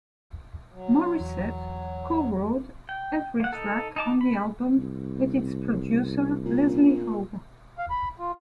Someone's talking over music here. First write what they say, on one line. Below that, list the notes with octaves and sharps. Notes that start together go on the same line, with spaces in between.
Morissette co-wrote every track on the album with its producer, Leslie Howe.
F#3
E2
G5
A#3 F#5
D#4 A4
D#4 A5 D6
B5
C2
A#2
F5
B5
F4